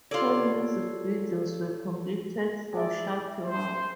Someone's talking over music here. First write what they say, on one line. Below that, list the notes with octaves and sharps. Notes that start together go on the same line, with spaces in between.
Two music videos were completed for "Shut Your Mouth".
F4 G4 A4 C#5 D5
G#3 E4 D5
C5